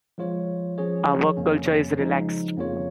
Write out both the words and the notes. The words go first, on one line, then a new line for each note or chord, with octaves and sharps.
Our work culture is relaxed.
F3 G#3 F4 C#5
F3 C#4 G#4 C#5
F2 C#3 A#3 C#4
C#3 F3 G#3 D#4
F2 C#3 A#3 F4 C#5